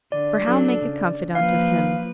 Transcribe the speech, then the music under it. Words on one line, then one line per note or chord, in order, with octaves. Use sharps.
For how make a confidant of him?
D3 D5
F#3 D4 A4
C#3
F3 A#3 B4 F5